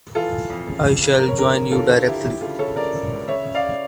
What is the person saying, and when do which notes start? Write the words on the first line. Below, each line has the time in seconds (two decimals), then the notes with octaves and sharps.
I shall join you directly.
0.15 E3 F4 A4
0.32 E3
0.50 F2
0.67 C#3
0.85 F2
1.02 C#3
1.19 F2 A#4
1.28 C#5
1.37 D3 G4 A#4
1.54 F2
1.71 D3 F4 A4
1.89 D3 F4 A4
2.07 D3 E4 G4
2.23 E3 E4 G4
2.41 C#3 F4 A4
2.59 C#3 A4 C#5
2.76 C#3 A#4 D5
2.94 C#3
3.11 C#2
3.28 C#3 C#5 E5
3.45 C#3
3.54 D5 F5